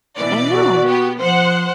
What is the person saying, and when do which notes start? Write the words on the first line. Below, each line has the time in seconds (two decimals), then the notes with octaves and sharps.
I know.
0.17 B2 E3 D5
0.48 F#4
0.85 B3 G4
1.19 F3 C5 F#5